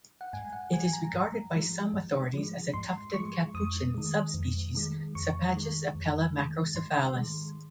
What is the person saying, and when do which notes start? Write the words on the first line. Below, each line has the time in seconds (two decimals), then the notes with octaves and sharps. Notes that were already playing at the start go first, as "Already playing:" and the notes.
It is regarded by some authorities as a tufted capuchin subspecies, "Sapajus apella macrocephalus".
0.21 F#5
0.33 G#2 G#5
0.53 F#5
0.72 F3 G#3 G#5
0.93 A#5
1.14 G#2
1.53 F3 G#3
1.93 G#2
2.34 F3 G#3
2.74 G#2 C6
3.14 F3 G#3 C#6
3.54 F2 D#6
3.94 D#3 G#3
4.34 F2
4.75 D#3 G#3
5.15 F2 C#6
5.55 D#3 G#3
5.95 F2
6.35 D#3 G#3
6.75 G#2 C6
7.16 D#3 G#3